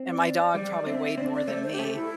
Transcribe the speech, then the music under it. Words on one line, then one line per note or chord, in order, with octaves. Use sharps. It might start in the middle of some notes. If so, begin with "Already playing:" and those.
and my dog probably weighed more than me,
Already playing: C4
D5
G3 D5
C4 E5
C4 D5
D5
A3 C5
C5
G4
A3 A4
E4